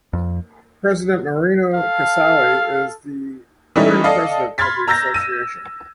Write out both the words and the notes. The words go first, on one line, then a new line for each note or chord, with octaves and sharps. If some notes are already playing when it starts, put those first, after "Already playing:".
President Marino Casali is the current president of the association.
F2
A4 F5
E3 G3 A3 C#4 D#4
A4 D5 D#5 F5
B5 C6 F6 G#6 A6 B6
A#5 E6 G6 A6 A#6
E6 D#7